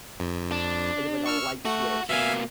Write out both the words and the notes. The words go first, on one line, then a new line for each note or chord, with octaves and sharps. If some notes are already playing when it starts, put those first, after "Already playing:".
I get, like, a light switch,
F2
D4
C#6 E6 F6
A3 F#4
B2 A#3 E5 F5 G#5